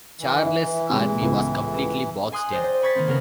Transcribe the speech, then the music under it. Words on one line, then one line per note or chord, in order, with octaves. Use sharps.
Charles' army was completely boxed in.
E3
E4 B4 E5
C3 G#3
C#2 A2 B3
G#5 C6 D#6 F#6
C5 D5 D#5 G5
C5
B5 C#6 G#6 A6 B6
D#3 A#3 C4
C#3 B3 C4 A#4 B4